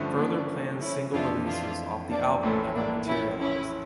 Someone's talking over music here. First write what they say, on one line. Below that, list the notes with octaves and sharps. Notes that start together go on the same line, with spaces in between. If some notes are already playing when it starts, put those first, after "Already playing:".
Further planned single releases off the album never materialised.
Already playing: G2 D3 F3 A3 C#4
A#3 D4
C#4 E4
F2 E3 A3 D4 F4
D4 F4
A#3 D4
A#1 A2 E3 A3 C#4
A#3 D4
C#4 E4
C#4 E4